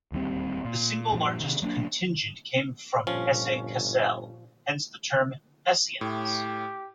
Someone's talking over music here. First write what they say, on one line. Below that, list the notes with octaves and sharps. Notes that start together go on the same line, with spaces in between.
The single largest contingent came from Hesse-Kassel, hence the term "Hessians".
D1 D#2 G3 C4
A#2
G2 A#2 D3 F3
C3 D#3
F#3 A#3 C4 D4
G1 A#2 F3 C#4
A2 G4